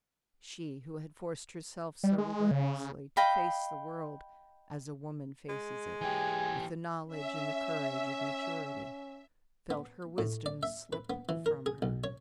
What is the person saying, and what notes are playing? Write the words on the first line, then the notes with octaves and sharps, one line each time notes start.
She, who had forced herself so relentlessly to face the world as a woman faces it, with the knowledge and the courage of maturity, felt her wisdom slip from her.
G3
G#3
C#3
C#3
D#5 F5 G5 B5
G#3
E3 G4 G#5
C#4 E5
B3
A2
D5
E5
B4
B3
E3
A#4
G#4
B1
C#5